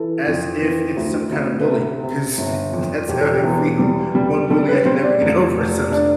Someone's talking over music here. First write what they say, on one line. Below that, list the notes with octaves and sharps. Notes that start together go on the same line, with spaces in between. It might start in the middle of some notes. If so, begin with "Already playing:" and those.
as if it's some kinda bully 'cause that's how I feel. The one bully I could never get over or something.
Already playing: E3 A4
F2
E3
D2
D2
B4
C3 A4
C3
G1
F2
E1 G4
A4
G4
E2
G3
G3
G3 A4
B4
G3 C5
D5
F1
F1
D4 D5